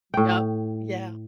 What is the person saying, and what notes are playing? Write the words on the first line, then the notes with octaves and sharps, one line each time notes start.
Yep, yeah.
A2 G5